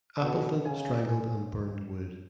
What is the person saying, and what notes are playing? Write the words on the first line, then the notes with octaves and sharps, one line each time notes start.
Appleton strangled and burned Wood.
B2 F#5
C#3 G#5
G#5